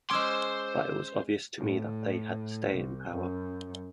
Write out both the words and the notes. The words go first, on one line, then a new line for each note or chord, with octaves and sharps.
But it was obvious to me that they had staying power.
G#3 C#4 C5 C6 D6 E6
A2
C2
F#2